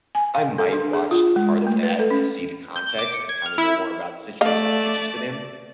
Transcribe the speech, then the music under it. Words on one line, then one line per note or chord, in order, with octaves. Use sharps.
I might watch part of that to see the context and kinda know more about the situation I'm interested in.
G#5
F5
A4
D4
G#4
F4
G#3
A3
B4
A4
C#4
G6
D6
C#7
G#6
F6
E4
A3 D5 D#5 F5